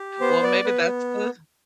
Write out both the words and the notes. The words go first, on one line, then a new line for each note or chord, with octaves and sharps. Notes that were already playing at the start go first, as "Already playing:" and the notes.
Well, maybe that's the
Already playing: G4
B3 C5
D5
B3 B4